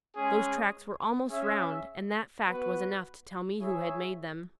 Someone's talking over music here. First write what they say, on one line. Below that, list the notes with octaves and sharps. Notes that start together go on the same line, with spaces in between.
Those tracks were almost round, and that fact was enough to tell me who had made them.
G#3 C#4 G#4
C#4 G#4 E5
B3 F#4 B4 F#5
E4 G#4 C#5 E5